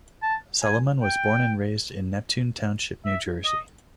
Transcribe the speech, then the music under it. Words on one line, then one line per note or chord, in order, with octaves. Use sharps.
Salomon was born and raised in Neptune Township, New Jersey.
A5
G#5
G5
E5
D#5